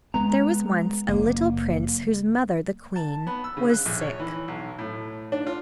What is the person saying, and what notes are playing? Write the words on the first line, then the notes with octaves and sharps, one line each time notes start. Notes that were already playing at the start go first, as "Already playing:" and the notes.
There was once a little prince whose mother, the queen, was sick.
G#3 B3 A#5
F#1 A#3
A5
B3
E6
C#3
F#6
A#1
C#5
E3
B1
A2
D4
F4